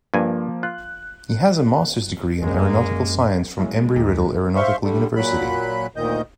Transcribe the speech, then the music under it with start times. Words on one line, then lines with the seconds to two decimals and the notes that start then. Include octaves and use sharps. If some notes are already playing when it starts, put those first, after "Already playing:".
He has a master's degree in aeronautical science from Embry-Riddle Aeronautical University.
0.14 G2 F3 A#3 G#5 A#5
0.63 F4 F#6
2.43 F#2 G#3 A#3
3.58 F#3 G#3 C#4 E4
3.96 D#2 D#4 G4 G#4
4.56 C5 E5 F5 C6 C#6
4.83 D3 G3 A3
5.16 A#2 F#3 B5 F#6
5.96 D2 A#2 D#3 D#5 G6